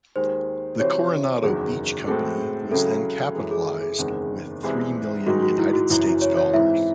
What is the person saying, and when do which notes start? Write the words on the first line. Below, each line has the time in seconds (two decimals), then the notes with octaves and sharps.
The Coronado Beach Company was then capitalized with three million United States dollars.
0.16 D#2 D#3 G#3 C5
0.80 C3 E3 C4 F#4 C5 C#5
1.43 F#1 E2 D#3 F#3 G#4
2.07 A2 G#3 C4 F#4 G#4 A4
2.70 C#2 C#3 F#3 C#4 E4 A4
3.35 F#2 E3 G#3
3.51 G#4
3.82 G#4
3.98 F#1 E2 D#3 G#3 C4
4.63 C2 C3 E3 G#3 C4
5.26 G#2 D#3 G#3 D#4 F#4
5.42 F#4
5.58 E4
5.73 F#4
5.90 F#1 F#2 E3 E4
6.06 E4
6.22 C#5
6.37 C#5
6.54 G#2 E3 C4 E4 E5